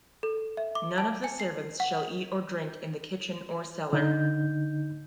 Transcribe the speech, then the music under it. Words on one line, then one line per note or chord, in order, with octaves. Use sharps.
None of the servants shall eat or drink in the kitchen or cellar.
A4
E5
D6
A5
G#5
C7
F#5
D3 D#4 G6